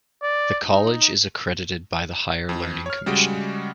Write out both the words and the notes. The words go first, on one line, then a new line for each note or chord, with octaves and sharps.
The college is accredited by the Higher Learning Commission.
D5
D#4
F2
C#5 F6
C#3 G3 G#3 F#4 D7